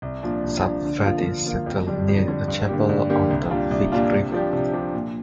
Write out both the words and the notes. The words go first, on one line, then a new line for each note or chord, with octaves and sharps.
Savvaty settled near a chapel on the Vyg River.
C2
A#2 F3 D4
C2
A#2 F3 D4
D3
F3 A#3 F4
D3
F3 A#3 F4
F2
D3 G3 D4
F2
D3 G3 D4
G2
D3 A#3 G4
G2
D3 A#3 G4
C2
A#2 G3 D4 F4
C2
A#2 G3 D4 F4
C3
F3 D4 G4
C3
F3 D4 G4
A#2